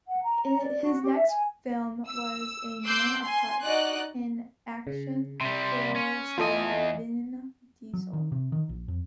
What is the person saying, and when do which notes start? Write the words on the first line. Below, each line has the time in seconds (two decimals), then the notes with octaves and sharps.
His next film was "A Man Apart", an action thriller starring Vin Diesel.
0.08 F#5
0.23 A#5
0.43 A#5
0.59 D5
0.82 F#4
1.02 G4
1.15 E5
1.28 G#5
2.07 E6
2.85 C6 D6 E6 F#6 G6 C7
3.22 G#5 C6
3.62 D#4 F#4 D5 D#5 F#6
4.87 C#3
5.41 C3 G3 C6
5.96 C#4
6.38 E2 F4 A4 D#5 G#5
7.94 F#3
8.13 D#3
8.32 C3
8.52 D#3
8.69 A#1
8.88 F2